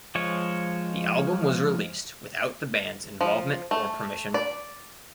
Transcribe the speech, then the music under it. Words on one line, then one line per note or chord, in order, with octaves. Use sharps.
The album was released without the band's involvement or permission.
F3 G#3 C#5
F3
A3
D5